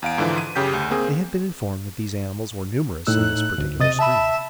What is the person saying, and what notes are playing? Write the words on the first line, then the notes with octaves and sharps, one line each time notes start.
They had been informed that these animals were numerous in this particular stream.
E2 F5 D7
G#2 D3 E3 F3
D#7
F#2 C#3 G4 G6 B6
D2
A#3 C4 G#4
A2 D#4 E6 F#6
D2
C3 D#5 D#6 A6
E5 A5 B5